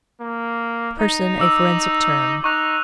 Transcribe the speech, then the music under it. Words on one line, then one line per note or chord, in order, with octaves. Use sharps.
Person a forensic Term.
A#3
D#4
D6 E6
D#4 C#6 F#6 F7